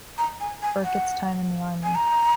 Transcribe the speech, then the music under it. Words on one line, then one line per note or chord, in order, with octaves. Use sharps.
Burkett's time in the Army.
A#5
G#5
G#5
F#5
G#5
A#5